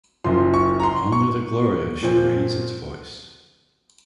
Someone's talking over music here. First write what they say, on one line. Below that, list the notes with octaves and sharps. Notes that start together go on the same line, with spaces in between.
Only the Gloria should raise its voice.
F#1 F#2 F3 C6
C#6
A#5
C6
C#6
A#2 F3 C4